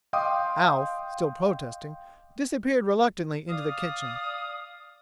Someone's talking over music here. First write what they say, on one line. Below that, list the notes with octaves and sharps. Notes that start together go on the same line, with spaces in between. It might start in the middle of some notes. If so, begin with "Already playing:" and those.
Alf, still protesting, disappeared reluctantly into the kitchen.
D#5 F5 G5 C6 D6 D#6
D5 F5 D#6